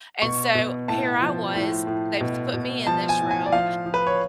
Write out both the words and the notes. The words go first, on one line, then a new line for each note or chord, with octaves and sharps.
and so here I was, they've put me in this room,
B2 C#6
B2
A2 A5
F3
A2
A2
B2
B2
F3 A5
G#5
A2
G#5
D5
F3 F5
F3
B4
C#5